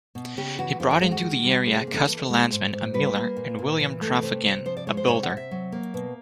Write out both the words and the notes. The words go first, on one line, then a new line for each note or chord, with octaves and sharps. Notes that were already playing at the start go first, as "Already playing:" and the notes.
He brought into the area Casper Landsman, a miller, and William Traphagen, a builder.
B2
C#3 G4
E3 F#4
F2 F4
F#4
G#3 F4
F#4
D#3
G3
C3 G#4
G#4
A#3
A4
E3
G#3
G#2
G#2
G3 B4
A#3
A#2
A#2
E3
A3
C3
C3
F3 C5
D5
G#3 C#5
C5
C3 C#5
F#5
C3
E5
F#3
A#3
B2